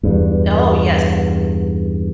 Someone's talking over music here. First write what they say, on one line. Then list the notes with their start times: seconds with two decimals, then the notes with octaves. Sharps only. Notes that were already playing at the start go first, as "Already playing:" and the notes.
Oh, yes. Definitely.
0.03 E2 G2